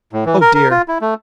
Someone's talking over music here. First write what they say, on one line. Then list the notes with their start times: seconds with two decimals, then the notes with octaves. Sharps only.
Oh! dear.
0.13 A2
0.26 E3
0.41 A#4
0.54 A#4
0.70 F4
0.88 E4
1.01 A3